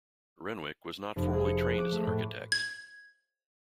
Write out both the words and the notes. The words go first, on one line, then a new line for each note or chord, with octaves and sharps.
Renwick was not formally trained as an architect.
F1
G#4
C#7
F#6
D6
A3
A2
G#6